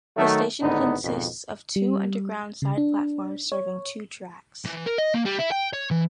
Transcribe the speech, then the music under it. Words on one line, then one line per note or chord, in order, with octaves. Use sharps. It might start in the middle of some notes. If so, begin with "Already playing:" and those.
The station consists of two underground side platforms serving two tracks.
D#3 F#3 A3
G#1 A2 D3 B3 D#4
G#1 F2 B2
G3
C#3
D4
C#5
E3
A#4
D#5
A#3
G3
E4
G5
C#5
E3